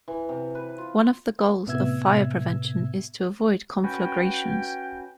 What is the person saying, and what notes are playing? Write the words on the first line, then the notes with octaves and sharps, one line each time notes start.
One of the goals of fire prevention is to avoid conflagrations.
E3
C3
B4
F4
A2 C3 B3 E5 E6 G#6
C#4 F#4 B4 G5